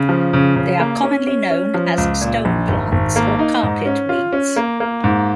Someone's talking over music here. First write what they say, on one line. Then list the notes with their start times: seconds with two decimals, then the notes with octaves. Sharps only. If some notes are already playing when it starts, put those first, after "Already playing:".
They are commonly known as stone plants or carpet weeds.
Already playing: C#3
0.09 F3
0.33 C#3
0.56 C#3
0.80 A#3
1.03 C#4
1.27 C#4
1.50 C#4
1.74 F3
1.97 C#2
2.21 A#2
2.45 A#1
2.68 G#1
2.92 G#1
3.16 A#3
3.39 D#4
3.63 G#2
3.86 C#4
4.09 F4
4.33 C#4
4.56 A#3
4.80 A#3
5.04 G#2